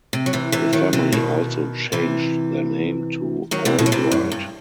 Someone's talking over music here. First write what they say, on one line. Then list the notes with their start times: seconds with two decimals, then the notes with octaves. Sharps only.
The family also changed their name to Albright.
0.13 C3
0.26 F#3
0.33 C3 E3
0.52 C3 E3
0.73 D#3 F#3
0.93 C3 E3
1.12 B2 D#3
1.92 C3 E3
3.51 D#3 F#3
3.65 C3 E3
3.78 B2 D#3
3.86 F#3
3.92 C3 E3
4.12 F#2
4.32 G2